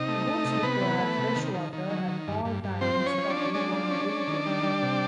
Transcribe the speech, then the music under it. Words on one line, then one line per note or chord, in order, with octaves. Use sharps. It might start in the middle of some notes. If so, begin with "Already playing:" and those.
Goats require fresh water at all times or they won't drink it.
Already playing: C3 D#4 D#5
A3
A3
C3
C3 B3 B4
E3
A3
C3
D#3
D#3
D#3
F#3
D#3
G2
G2
G2
F3 C4 C5
F3
C#4 C#5
F3
D4 D5
C#4
G#3 D4 D5
F3
C#4
C#4
D#3
G3
G3
C3